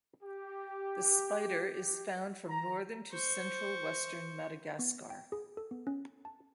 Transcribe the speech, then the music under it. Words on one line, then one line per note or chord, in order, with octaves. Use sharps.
The spider is found from northern to central western Madagascar.
G4
A#5
C5 C#6
B3
G5
G#4
A4
B3
C#4
A5